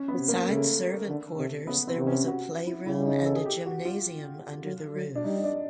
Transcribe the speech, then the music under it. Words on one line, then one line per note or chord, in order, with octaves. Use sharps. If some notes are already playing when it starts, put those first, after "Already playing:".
Beside servant quarters, there was a playroom and a gymnasium under the roof.
Already playing: C#4
B3
C3
A#3
C#3 A3
D3
C3
C#3 B3
C4
C3
C#4
F#4
E4
C#3 E4
D#4
A4
G#4
G4
F#4
F4
F#3
F#3
D4
G3 D#4
D#4
D4